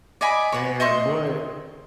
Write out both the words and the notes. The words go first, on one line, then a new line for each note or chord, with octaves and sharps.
and but,
D5 D#5 G#5 B5
C#5 F#5
D#5 E5 C6 C#6